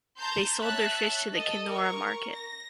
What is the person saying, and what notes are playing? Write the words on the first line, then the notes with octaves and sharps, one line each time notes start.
They sold their fish to the Kenora market.
A5 A#5 C6 G6
C#5 E5 A5 F#6
A4 D#5
A#4 C#6
A#6